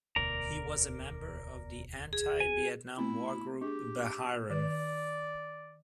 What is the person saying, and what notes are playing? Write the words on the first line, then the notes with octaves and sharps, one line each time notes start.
He was a member of the anti-Vietnam War group Beheiren.
E1 D2 B2 A#4 D5 A#5
G#4
G#5
A3 B3 C4 E4
D4 G4 G#4
D#3 B4 D5